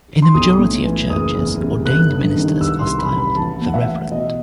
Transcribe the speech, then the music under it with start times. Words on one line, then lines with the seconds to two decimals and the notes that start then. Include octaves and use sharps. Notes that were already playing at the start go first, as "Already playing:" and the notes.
In the majority of churches, ordained ministers are styled "The Reverend".
0.22 C6
0.34 B1 D#6
0.59 A2
0.84 E3
1.10 F#1 D#6
1.35 E2
1.60 C3
1.85 G1 F#6
2.10 G2
2.36 D#3
2.60 C2 E6
2.79 C6
2.85 C3
2.99 B5
3.11 E3
3.18 B5
3.36 A1 A5
3.61 A2
3.66 F#5
3.74 E5
3.86 E3
4.12 B2 D#5